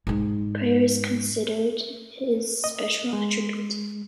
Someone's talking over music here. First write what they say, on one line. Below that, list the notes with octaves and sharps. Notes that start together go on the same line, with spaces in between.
Prayer is considered his special attribute.
G#2 G#3
D#5
G#3